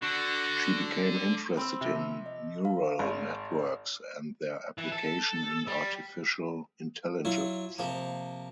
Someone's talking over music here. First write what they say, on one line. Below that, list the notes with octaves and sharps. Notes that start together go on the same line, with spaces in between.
She became interested in neural networks and their application in artificial intelligence.
D3 F#4
C4 B5 C6 E6
C3 F3
D#5
F5
G#1 D7
E3
A4
G3
F#3 E4 F4
C3 F3 A#3